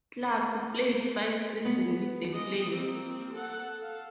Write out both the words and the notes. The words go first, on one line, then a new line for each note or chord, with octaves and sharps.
Clark played five seasons with the Flames.
B3
G#3 D#5
A#3 C4
A4 F#5
A4 F5